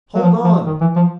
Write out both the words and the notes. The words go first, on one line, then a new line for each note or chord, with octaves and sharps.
"Hold on!"
F#3
F3
F3
D#3
E3
F3